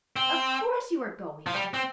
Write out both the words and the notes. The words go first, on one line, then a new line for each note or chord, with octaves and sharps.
"Of course you are going."
C4
F3
G3
C4